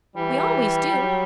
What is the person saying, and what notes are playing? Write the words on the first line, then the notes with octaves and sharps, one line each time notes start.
We always do.
E3 G3
F#3